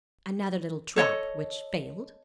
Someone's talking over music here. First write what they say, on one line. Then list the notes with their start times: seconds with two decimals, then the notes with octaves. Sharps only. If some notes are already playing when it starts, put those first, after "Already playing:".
Another little trap which failed.
0.96 A4 C#5 D#5